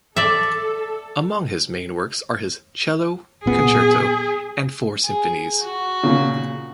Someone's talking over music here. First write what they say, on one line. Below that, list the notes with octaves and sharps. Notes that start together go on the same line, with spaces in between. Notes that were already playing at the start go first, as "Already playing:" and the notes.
Among his main works are his "Cello" "Concerto" and four symphonies.
A4 D5 E5
A#2 B3 G#4
G#4
F#4
A#2 C#3